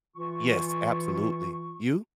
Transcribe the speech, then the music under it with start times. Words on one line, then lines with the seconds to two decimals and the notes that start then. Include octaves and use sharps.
Yes, absolutely. You?
0.16 E3 F4 C#6